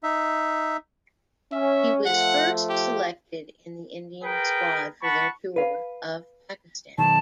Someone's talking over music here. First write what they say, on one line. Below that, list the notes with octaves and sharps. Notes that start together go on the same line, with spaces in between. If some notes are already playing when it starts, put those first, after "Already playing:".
He was first selected in the Indian squad for their tour of Pakistan.
D#4 E5
C#4 E5
F3 A3 F#5
G4
G#4 A#4 B4 G5
F#5 A5 B5 C#6
B4 F5
B1 D#3 A5